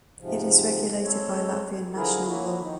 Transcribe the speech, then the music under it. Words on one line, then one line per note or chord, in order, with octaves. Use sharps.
It is regulated by Latvian national law.
G#2 C3 F3
G#3 C4 A4 C#5
D3 F3 E4 G#4 A#4
F#3 A#3 E4 F#4
D#3 D#4